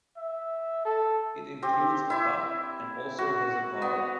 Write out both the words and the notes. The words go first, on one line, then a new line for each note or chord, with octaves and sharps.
It includes a pub, and also has a park.
E5
A4
C4 G4
E4 E5
F#4
B3